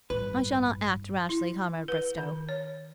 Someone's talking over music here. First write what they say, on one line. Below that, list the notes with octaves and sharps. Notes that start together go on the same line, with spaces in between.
I shall not act rashly, Comrade Bristow.
A1 G2 B4
E4
B4
D#3
C#5